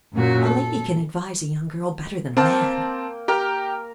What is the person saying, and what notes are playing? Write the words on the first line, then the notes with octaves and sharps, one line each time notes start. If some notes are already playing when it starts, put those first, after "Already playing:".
"A lady can advise a young girl better than a man."
F#2 A#2 F#3 F#4
A4
A#3 C4 G5 A5
G4 A#4 G5